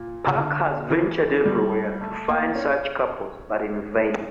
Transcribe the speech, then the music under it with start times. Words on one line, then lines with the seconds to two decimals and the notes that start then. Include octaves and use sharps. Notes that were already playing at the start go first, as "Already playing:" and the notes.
Puck has ventured everywhere to find such couples, but in vain.
Already playing: A#2
0.27 C#3
0.36 D3
0.90 E3
1.46 G3
2.01 A3
2.28 A#3
2.55 C#4